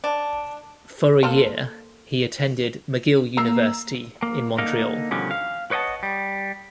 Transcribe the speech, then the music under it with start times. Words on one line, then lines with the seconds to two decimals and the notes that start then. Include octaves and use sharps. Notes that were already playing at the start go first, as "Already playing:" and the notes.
For a year, he attended McGill University in Montreal.
0.04 D4
1.23 A#3 A4 C5
3.37 A#3 A#4 A#5 E6 C7
4.23 A#3
4.58 D3 A#3 D#4 F5
5.11 B2 D3 D#3 F3 G3 C#4
5.31 F5
5.71 B4 C#5 D#5 F#5 A5
6.03 G3